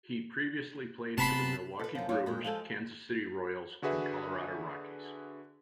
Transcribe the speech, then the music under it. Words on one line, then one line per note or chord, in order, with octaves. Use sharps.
He previously played for the Milwaukee Brewers, Kansas City Royals and Colorado Rockies.
C3 B3 A5 B5 C6
A4 B4
F#2 F3
G2 G3 F4 C#5
A#2 G#3 A#3
F3 G#3 A4
D3 F#4 G#4 B4 E5